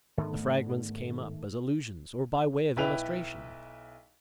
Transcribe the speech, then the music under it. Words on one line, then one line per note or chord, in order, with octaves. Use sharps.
The fragments came up as allusions or by way of illustration.
G#2 D3 D#3 A3 B3
B1 E4 B4 G5 F7